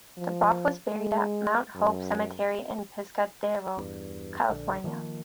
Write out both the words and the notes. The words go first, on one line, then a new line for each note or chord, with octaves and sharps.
Dubroff was buried at Mount Hope Cemetery in Pescadero, California.
F3
G#3
F#2
E2 G2
A#1 D3
D#3 F3 G#3 A#3